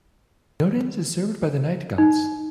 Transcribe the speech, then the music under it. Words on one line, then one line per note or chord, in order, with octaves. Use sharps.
Nodens is served by the Nightgaunts.
D#4